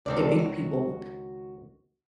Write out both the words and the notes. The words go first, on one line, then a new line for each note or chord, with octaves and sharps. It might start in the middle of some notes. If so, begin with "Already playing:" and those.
evict people w
C#2 D#3 C4 D4 A4 D5
F#4